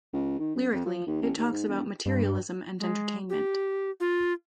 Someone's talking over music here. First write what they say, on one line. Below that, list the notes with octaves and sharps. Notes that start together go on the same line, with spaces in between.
Lyrically, it talks about materialism and entertainment.
C#2
D#3
F#2
F2
F3
D#2
A1
D#2
G#2
E1
G2
G#3
G4
F4